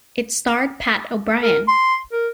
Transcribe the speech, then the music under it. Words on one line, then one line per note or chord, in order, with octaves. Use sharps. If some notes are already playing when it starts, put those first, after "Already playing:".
It starred Pat O'Brien.
A#4
C6
A#4